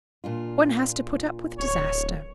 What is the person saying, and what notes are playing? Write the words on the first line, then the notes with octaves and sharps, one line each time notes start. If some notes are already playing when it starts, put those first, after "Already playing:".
One has to put up with disaster.
A#2 D4 F4
D1 C#5